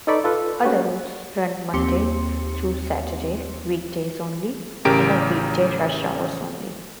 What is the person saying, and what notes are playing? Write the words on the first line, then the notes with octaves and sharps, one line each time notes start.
Other routes run Monday through Saturday, weekdays only, or weekday rush hours only.
D#4 A4 B4 D5 B5 C#6
F4 A4 B4
A#3 C#4 F#4 G4 B4
D#2 C4 G4 C6 C#7
A1 C#3 G4 A#4 D7